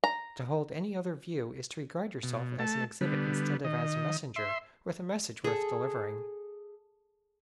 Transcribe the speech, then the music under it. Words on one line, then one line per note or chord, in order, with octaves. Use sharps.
To hold any other view is to regard yourself as an exhibit instead of as a messenger with a message worth delivering.
A#5
B2
A3 A5
D3 G3 B3
D#3 D#5
E5 C6
G#4 A4